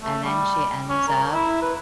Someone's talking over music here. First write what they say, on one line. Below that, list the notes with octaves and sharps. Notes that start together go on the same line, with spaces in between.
and then she ends up
A3
G3
C#4
A#4
E4
B4